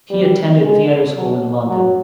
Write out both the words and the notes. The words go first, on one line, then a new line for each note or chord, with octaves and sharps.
He attended theatre school in London.
G3
G#3
F#3
F#3